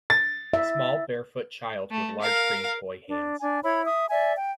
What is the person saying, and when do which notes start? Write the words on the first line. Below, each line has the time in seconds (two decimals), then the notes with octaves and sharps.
Small barefoot child with large green toy hands.
0.10 A6
0.53 E5
1.91 A3
2.21 A#4 F5
3.08 D4
3.40 D4 G#5
3.63 E4 C#5 B5
3.86 E5 D#6
4.10 D5 E5 G#5
4.36 G5